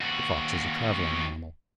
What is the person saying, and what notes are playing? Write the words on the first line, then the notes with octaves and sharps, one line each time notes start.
The fox is a travelling animal.
D#2 F#4